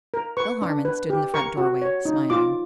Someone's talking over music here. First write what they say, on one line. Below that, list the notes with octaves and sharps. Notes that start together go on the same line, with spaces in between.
Bill Harmon stood in the front doorway, smiling.
A#4
B4 C#6
D4
B4
G4
A#4 C#6
F#4
C#5
D#4
F4 D6